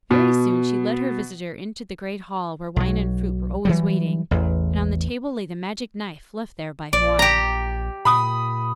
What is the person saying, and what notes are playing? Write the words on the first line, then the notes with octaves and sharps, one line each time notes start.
Very soon she led her visitor into the great hall, where wine and fruit were always waiting, and on the table lay the magic knife, left there by Houarn.
B2
B1 F#3
E3 F#3 G3
A1 E2
A#1 D5
G4 A#5
A#2 B5 D#6